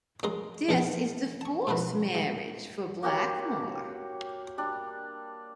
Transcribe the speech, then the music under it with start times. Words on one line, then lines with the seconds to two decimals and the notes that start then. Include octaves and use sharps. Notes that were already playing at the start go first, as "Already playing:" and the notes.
This is the fourth marriage for Blackmore.
0.23 F#2 G#3 C#4 G#4 A#5 C6
0.69 A#1 E2 C#3 E3 A#4
1.41 A5 C#6
1.67 G#2 B2 F3 B3 E4
2.15 G#2
3.03 A#3 F#4 G4 C#5
4.58 G3 D4